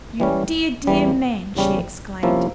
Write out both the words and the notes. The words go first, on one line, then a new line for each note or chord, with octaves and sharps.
"You dear, dear man!" she exclaimed.
E3 G3 C#4
E2 E3 G3
E2 C#3 G3 C#4
C3 F3 A#3 C#4 E4